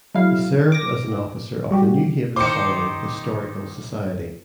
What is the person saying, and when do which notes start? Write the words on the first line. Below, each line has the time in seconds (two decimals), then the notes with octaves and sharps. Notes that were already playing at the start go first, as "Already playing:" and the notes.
He served as an officer of the New Haven Colony Historical Society.
0.15 F#3 G#3 E4 F5
0.72 D6 A#6
1.71 G3 F#4 G4
2.36 D#3 D#4 C5 D6 C#7